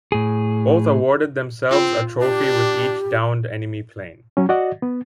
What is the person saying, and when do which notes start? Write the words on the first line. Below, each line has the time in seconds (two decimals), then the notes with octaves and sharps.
Both awarded themselves a trophy with each downed enemy plane.
0.12 A2 G#4
1.71 C4 F4 G5
2.22 D4 G4
4.37 F#3 C#4
4.49 F#4 D5 D#5 F#5
4.82 B3